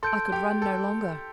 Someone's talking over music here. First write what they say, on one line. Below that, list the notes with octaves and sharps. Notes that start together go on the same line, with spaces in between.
I could run no longer.
A4 C6 G6 D7
G4
A4